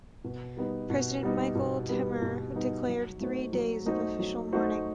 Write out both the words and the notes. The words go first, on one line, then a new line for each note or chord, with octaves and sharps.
President Michel Temer declared three days of official mourning.
B2
G3 B3 D#4
B2
G3 B3 D#4
B2
G3 B3 D#4
B2
G3 B3 D#4
F#3
A3 D#4 F#4 C5
F#3
A3 D#4 F#4 C5
F#3
A3 D#4 F#4 C5